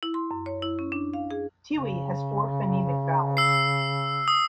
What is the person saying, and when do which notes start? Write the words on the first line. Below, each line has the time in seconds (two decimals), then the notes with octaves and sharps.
Tiwi has four phonemic vowels.
0.03 E4
0.14 C6
0.31 F#2
0.46 C#5
0.62 E4
0.79 C#4
0.92 D4
1.14 F5
1.31 G#4
1.72 C#3
3.37 E6 C7
4.28 D#6